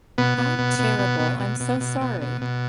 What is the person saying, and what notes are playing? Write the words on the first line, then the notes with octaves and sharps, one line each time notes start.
How terrible, I'm so sorry.
B2 B3
B2
B2
B2
B2
B2
B2
B2
B2
B2
B2
B2